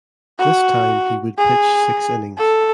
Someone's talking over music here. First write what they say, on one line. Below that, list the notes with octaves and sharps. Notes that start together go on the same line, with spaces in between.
This time he would pitch six innings.
F#4
G#4
A4